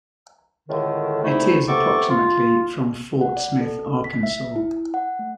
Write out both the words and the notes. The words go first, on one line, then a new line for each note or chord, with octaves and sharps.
It is approximately from Fort Smith, Arkansas.
C#2 A2 D3 D#3
D2 C3 A3 D#4 E4
C3 B3 A4 C#6 D6
F4
F#5
D5
A4
B6
E5
E4
F#5
A3